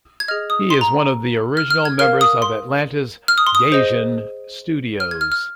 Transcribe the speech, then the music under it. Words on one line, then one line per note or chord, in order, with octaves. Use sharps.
He is one of the original members of Atlanta's Gaijin Studios.
G#6
G#4 D#5 F6
D#6
C6
A#5
F6
F6
G#6
A#4 F5 F6
D#6
C6
F6
D#6
C6
D#6
G#4 C5 D#5
F6
G#6
F6
F6